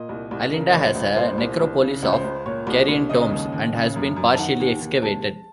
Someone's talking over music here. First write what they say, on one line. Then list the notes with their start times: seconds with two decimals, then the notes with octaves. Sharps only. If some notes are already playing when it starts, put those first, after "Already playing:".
Alinda has a necropolis of Carian tombs and has been partially excavated.
Already playing: A#2 D#5
0.09 C2
0.31 C2
0.52 C#3 A#4
0.68 D#5
0.74 C#2 C#5
0.84 C5
0.95 C#2
1.16 A#2 C5
1.38 C2
1.60 C2
1.81 C#3
2.02 C#2
2.13 C5
2.24 C#2
2.46 A#2 C#5
2.67 C2
2.88 C2
3.09 C#3 D#5
3.31 D#2
3.52 D#2
3.74 C#3
3.96 F#2
4.16 F#2
4.33 A5
4.38 D#3 F#5
4.60 D#2
4.81 D#2
5.02 C3 A5